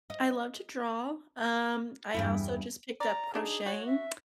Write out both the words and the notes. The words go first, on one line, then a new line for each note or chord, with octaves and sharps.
I love to draw, um, I also just picked up crocheting.
D#5
E2 G2 E4
D5 A#5
F#3 D4 D#4 G#4
F#4 C#5
E5